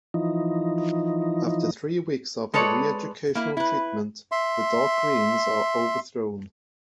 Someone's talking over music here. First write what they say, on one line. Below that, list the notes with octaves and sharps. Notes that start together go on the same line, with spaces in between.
After three weeks of re-educational treatment, the Dark Greens are overthrown.
E3 F3 D#4
G#3 A4 B4 C#5 D5
A#3 E4
E4 B4
E5 C6